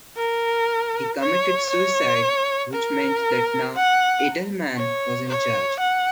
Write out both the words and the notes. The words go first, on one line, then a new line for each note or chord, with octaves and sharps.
He committed suicide, which meant that now Edelman was in charge.
A#4
C#5
C#5
A#4
F#5
C#5
C#5
F#5